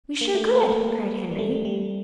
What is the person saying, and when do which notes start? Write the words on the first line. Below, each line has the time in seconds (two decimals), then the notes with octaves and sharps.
"We sure could!" cried Henry.
0.21 A#3
0.34 A3
0.55 A#3
0.63 A3
0.70 A#3
1.31 G3
1.39 A3
1.52 G3
1.65 G3